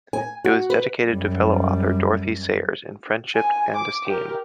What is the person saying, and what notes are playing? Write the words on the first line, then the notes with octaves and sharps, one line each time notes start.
It was dedicated to fellow author Dorothy Sayers in friendship and esteem.
G#5
F#4
B4
F#2 G3
G#5
D6
G4 A#4